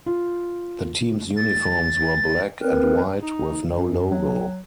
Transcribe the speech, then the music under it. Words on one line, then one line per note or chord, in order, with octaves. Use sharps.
The team's uniforms were black and white, with no logo.
F4
A6
C4 A#4 B4
D#4
F#2
F#3